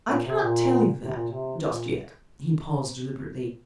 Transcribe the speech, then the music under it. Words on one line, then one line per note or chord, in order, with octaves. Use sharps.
"I cannot tell you that--just yet." He paused deliberately.
A#2
C3
A#2
C3
A#2
C3
A#2